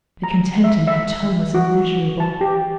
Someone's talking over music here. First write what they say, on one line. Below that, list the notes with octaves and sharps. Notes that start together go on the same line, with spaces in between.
The contempt in her tone was immeasurable.
A#5
E5
E5
F#4
A5
G4